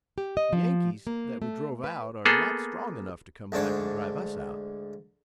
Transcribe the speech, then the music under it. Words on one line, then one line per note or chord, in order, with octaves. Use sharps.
The Yankees that we drove out are not strong enough to come back and drive us out.
G4
D#5
F3
A#3
A3
B4
A#3 B3 G#4 A4
D2 G#2 D4 C#5 C#6